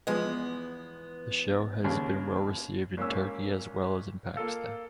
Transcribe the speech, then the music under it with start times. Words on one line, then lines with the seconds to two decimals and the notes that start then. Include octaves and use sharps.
The show has been well received in Turkey as well as in Pakistan.
0.07 E2 F3 G#3 B3
1.84 D#2 C#3
2.97 G#1 A#3 C#4 E6
4.35 A#3 F4 A4 F5